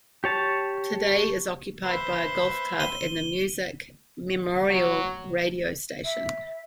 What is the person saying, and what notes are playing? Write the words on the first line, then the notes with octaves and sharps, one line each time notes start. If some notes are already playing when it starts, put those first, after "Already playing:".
Today it is occupied by a golf club and the Musick Memorial Radio Station.
G4 C#5 A5
B4 C5 E5
D#7 G7
F#3
E5